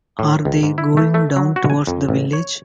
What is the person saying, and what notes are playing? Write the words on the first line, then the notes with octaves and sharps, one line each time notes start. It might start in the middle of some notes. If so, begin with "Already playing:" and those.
Are they going down towards the village?
A2
C#2
G#2
E4
A3
A3
F#3
F#4
G#5
F2
A1
C#5